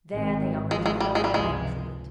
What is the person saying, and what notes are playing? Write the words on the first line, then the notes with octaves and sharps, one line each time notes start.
There they are eternally playing truant.
G#1 G#2 D#3 G#3 C4
G#1 G#2 F3 G#3
G#3
G3
G#3
G3
C#2 C3 F3 G#3